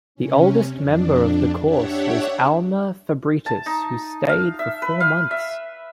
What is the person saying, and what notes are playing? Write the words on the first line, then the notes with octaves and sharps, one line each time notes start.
The oldest member of the course was Alma Fabritius, who stayed for four months.
C3 C#4
F2 D4
D4 G4 C#5 E5 F#5
A5
D#4
F5
E5
B4
F5
E5